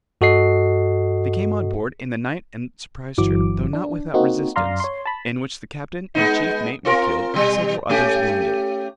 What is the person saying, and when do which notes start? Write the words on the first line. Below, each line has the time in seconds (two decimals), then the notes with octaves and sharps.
They came on board in the night and surprised her, though not without resistance, in which the captain and chief mate were killed, and several others wounded.
0.21 G2 F#4 A4 D#5 C7
3.18 G1 E3 F#3 D6
3.73 D4
4.14 A#3 C4 D#4 F#4
4.56 F#2 D5 F5 A#5 C6
4.80 C#5 C6
5.06 A5 B5
6.15 G#3 B3 D#4
6.85 C4 F4 A#4
7.34 B2 G3
7.90 A3 C#4 G4